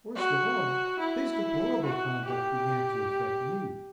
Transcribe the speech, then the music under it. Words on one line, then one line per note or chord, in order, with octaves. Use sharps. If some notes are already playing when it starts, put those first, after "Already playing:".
Worst of all, his deplorable conduct began to affect me.
F#4
E4
F#4
G4